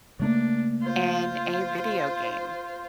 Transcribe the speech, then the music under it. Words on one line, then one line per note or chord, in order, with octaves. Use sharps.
in a video game.
C#3 A3 A#3 D4
F4 C5